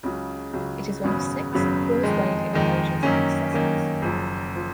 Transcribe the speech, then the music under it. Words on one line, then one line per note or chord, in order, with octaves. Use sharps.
It is one of six causewayed enclosures in Sussex.
C#2 C#3 F#3
C#2 C#3 F#3
G#1 F#2 C#3 F#3 B3
G#1 F#2 C#3 F#3 B3
F2 D#3 G#3
F2 D#3 G#3
F#2 D#3 A#3 C#4
F#2 D#3 A#3 C#4
F#1 F#2 F3
F3